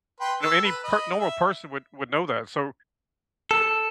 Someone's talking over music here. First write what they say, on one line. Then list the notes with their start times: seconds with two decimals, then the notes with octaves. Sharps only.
you know any per normal person would would know that, so,
0.21 B4 G5 C6
0.42 A4 A5 E6
0.65 B4
0.84 D#5 B5
1.17 E5
3.51 A4